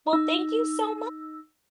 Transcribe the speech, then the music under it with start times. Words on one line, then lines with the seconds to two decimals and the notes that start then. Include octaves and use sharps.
Well, thank you so
0.13 D#4 E6